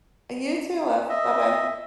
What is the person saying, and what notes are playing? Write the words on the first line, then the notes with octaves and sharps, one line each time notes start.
You too, love. Bye-bye.
D#5 E5